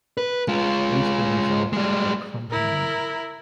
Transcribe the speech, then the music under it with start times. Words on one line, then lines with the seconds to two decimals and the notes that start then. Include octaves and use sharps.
With or without accompaniment.
0.17 B4
0.48 G#3 F4
1.73 G3 G#3
2.51 E4 A#4